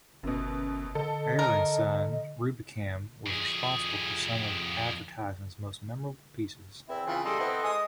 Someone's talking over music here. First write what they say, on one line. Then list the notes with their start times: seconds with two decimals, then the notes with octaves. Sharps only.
Ayer and Son, Rubicam was responsible for some of advertising's most memorable pieces.
0.23 G1 F#2 B2
0.95 D3 A4 D#5
1.39 A#4
3.26 F2 G#4
6.89 E2 C4 E4
7.07 C#3 E3 F4
7.25 G3 G#4 A4 D#5 A5 C6
7.39 B3 C4 E4
7.63 G#3 G#5 D#6